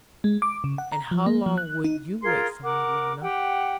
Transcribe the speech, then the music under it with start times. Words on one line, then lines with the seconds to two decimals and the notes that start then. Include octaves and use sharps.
And how long would you wait for me, Lorna?'
0.24 G#3
0.42 D6
0.64 C#3
0.78 F#5
0.92 A#5
1.11 F3
1.26 A#3
1.46 F3
1.58 F#6
1.84 D#4
2.22 F4 G#4 A#4 C6
2.63 A#4 F#5 D6
3.22 G4 F#5 G5